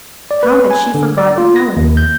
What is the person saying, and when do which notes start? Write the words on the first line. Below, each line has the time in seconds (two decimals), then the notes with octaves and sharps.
How had she forgotten Ellen?
0.31 D5
0.43 B4
0.71 G#5
0.94 D3
1.18 D5
1.38 F4
1.56 A#6
1.77 D#2
1.97 G6